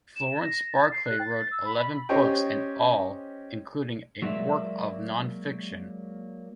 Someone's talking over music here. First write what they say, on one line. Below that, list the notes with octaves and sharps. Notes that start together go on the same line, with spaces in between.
Florence Barclay wrote eleven books in all, including a work of non-fiction.
E7
A#6
A6
C7
F#6
A6
E6
B5
C#4 G4 C5 C#5 D#5 G5
F#3 G#3 A#3 C#5 D5 E5